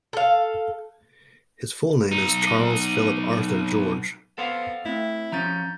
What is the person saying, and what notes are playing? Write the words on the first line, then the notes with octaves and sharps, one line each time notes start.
His full name is Charles Philip Arthur George.
A4 F5
B1 D#4
B3 A4 C5 F5
A3 C4 E4
F3 C#4 A#5 G6 A6